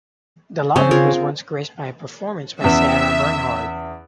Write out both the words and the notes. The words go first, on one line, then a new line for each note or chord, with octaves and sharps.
The lobby was once graced by a performance by Sarah Bernhardt.
C#3 C4 C5 F5
F4 G#4 A#4
E2 C#3 E5